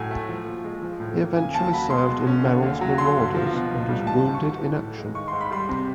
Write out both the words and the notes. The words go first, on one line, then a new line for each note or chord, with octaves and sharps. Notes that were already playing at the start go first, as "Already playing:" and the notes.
He eventually served in Merrill's Marauders and was wounded in action.
Already playing: A2 F#3 G#5
A3
F3
A#2
G#3
F3
A2
A#3
C#3 G#5
D#2 A5
F#3 B5
G#3 C6
B2
C#4
D3
D#2
F#3
D3 C6
G2
F3
B2
C#2
G3
D#3 A5
G#2
C#6
F#3
E3
A2
G#3
D#3 C#6
G#2 C6
B5
G3 C6
C3